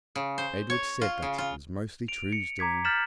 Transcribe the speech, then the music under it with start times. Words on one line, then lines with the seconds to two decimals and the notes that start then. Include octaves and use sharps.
Edred said that it was mostly True's doing.
0.16 C#3
0.38 C5
0.70 C#5
1.01 F4
1.22 C#3
1.38 F4
2.08 D7 F7
2.32 C#7
2.59 A#5 D6 G#6 B6
2.85 F6 G6 A6 B6 E7 F#7